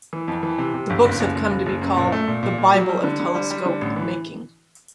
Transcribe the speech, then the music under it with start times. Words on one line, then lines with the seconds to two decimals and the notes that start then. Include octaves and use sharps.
The books have come to be called "the bible of telescope making".
0.13 E3
0.28 F2
0.43 E3
0.58 C3
0.74 C3
0.90 G1
1.05 F#1
1.20 F#1
1.35 F#1
1.51 F#1
1.66 F#1
1.81 F#2
1.97 A#2
2.12 A3
2.28 A#2
2.43 A#2
2.58 A#2
2.74 F#3
2.89 G3
3.04 D3
3.20 D3
3.35 G3
3.51 G3
3.66 D3
3.81 A1
3.96 E3